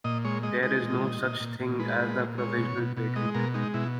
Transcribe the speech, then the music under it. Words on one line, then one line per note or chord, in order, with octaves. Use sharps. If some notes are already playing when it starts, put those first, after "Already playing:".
There is no such thing as a "provisional patent".
A#2 D#5
G#3 C#5
G#3 D#5
G#3 D#5
A#2
A#2
A#2
A#2
A#2
G#3 B4
A#2
A#2
G#3 C#5
B2
B2
B2
G#3 D#5
B2 A#4
G#3 D#4
B2 E4